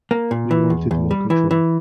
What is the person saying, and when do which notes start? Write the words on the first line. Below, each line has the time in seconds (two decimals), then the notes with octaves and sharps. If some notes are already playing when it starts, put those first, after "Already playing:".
We wanted more control.
0.11 A#3
0.31 A#2
0.51 E3
0.70 E2
0.91 E2
1.11 G3
1.30 E3
1.51 E3